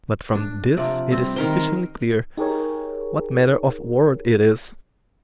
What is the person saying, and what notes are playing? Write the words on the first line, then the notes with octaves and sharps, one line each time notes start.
But from this it is sufficiently clear what manner of world it is.
D4
C3 F3 D5
G3 C4
D#3 G3 A#4 C5
D#4 G4 G#4 A#4 C#5